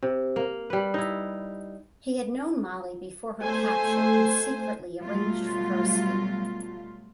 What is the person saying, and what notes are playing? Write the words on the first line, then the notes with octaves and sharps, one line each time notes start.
He had known Molly before her capture and secretly arranged for her escape.
C3
A#3
G3 B4
D#4 E4
A3 C5 G#5
B2 F#3 G3 A3 F4